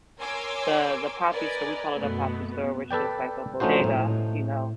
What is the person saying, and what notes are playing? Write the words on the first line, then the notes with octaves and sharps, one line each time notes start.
the the papi store, we call it a "papi store," which is like a bodega, you know,
A#4 C#5 G#5 C6 D6 E6
A#4 B4 D5 D#5 G#5
F#2 B2 A3 B3
A4 B4 D5 G5
F3 A3 C#4 D#4 F#4 C5
A2